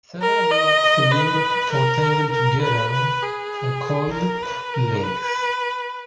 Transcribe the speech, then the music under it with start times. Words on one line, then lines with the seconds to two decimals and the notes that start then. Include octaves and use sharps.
Several knots, linked or tangled together, are called links.
0.22 A#4
0.51 D#5
1.12 B4
1.72 A#4
2.32 A#4
2.62 B4
2.93 B4
3.22 G#4
4.13 A#4
4.43 B4
4.74 A#4
5.03 B4